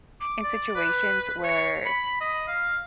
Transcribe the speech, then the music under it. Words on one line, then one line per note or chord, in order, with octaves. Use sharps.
in situations where
D6
D5
B4
C#5
B5
D#5
F5